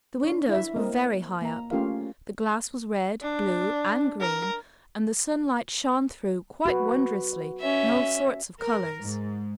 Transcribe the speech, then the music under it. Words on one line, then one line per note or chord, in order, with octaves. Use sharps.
The windows were very high up; the glass was red, blue, and green, and the sunlight shone through quite wondrously in all sorts of colors.
D4 C#5
E4 E5
A#3 C4 A#4 D#5
A#3 A#5
A3 C#4 F4 G4 A#4 F5
D4
A#4
F#4 B4
C#4 E5
A#4
G#2